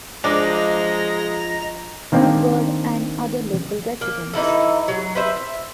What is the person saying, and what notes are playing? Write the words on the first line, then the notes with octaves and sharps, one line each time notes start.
Woodward, and other local residents.
F3 G#3 D4 D#5 A#5 A#6
D#3 A#3 C4 D4 D5
A#3
E3 D#4 E4 A4
F#3
B4 C5 E5
E5